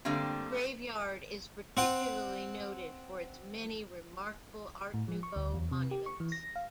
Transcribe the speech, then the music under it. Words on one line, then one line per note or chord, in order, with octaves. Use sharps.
The graveyard is particularly noted for its many remarkable art nouveau monuments.
D3 G3 A3 A#3 C4
C4 F#5 G5
A2
F3
C#6
D2
E2
C3
G4
C#6
E3
A#6
F5